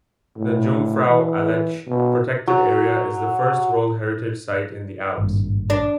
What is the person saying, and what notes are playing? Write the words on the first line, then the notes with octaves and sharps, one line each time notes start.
The Jungfrau-Aletsch Protected Area is the first World Heritage Site in the Alps.
A2
E3
B2
F#3
G#1 G2 A#2
D4